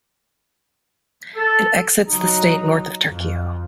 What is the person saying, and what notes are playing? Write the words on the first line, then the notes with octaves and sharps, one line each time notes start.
It exits the state north of Tarkio.
A4
F#3 D#4
F2